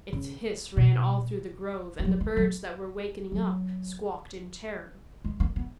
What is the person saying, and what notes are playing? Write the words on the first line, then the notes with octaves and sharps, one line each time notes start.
Its hiss ran all through the grove and the birds that were wakening up squawked in terror.
C#3
B2
F3
F#3
G#3
F#3
F#3
G#3
A#3
B3